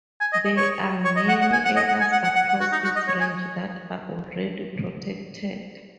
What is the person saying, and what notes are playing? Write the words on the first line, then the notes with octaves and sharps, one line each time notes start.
There are many areas across its range that are already protected.
G#5
D#5
D#5
C#5
C#5
D#5
F#5
F#5
G#5
F#5
D#5
F#5
G#5
F#5
F#5
F#5
F#5
F#4
D#4
F#4
D#5
C#5
G#5